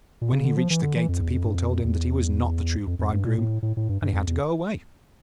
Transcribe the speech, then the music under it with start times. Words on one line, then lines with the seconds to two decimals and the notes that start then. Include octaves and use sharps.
But when he reached the gate the people told him that he was not the true bridegroom, and he had to go away.
0.21 A#2
0.33 C#3
0.44 D3
0.57 F3
0.70 E3
0.82 D3
0.95 E3
1.09 F2
1.21 E2
1.33 F2
1.44 G2
1.55 F2
1.84 E2
2.87 F2
2.99 F2
3.13 G2
3.24 A#2
3.38 A2
3.62 A2
3.77 A2
3.89 G2
4.02 G2
4.13 F2
4.27 E2